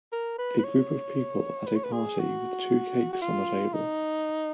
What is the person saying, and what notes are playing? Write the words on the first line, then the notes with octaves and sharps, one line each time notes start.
A group of people at a party with two cakes on the table.
A#4
B4
B4
C#5
B4
C#5
B4
G#4
F#4
F#4
F4
D#4